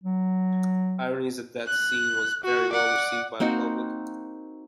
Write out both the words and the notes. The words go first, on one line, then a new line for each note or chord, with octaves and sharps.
"Irony Is a Dead Scene" was very well received by the public.
F#3
F#6
F#4
D5 F#5
A#3 C4 D#4 F#4